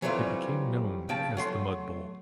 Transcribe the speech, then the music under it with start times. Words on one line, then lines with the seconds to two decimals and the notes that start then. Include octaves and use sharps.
It became known as "The Mud Bowl".
0.02 E3 F#3 G3 A3 C4 F4
1.09 C#3 G5 A5
1.37 F#3 A3 C6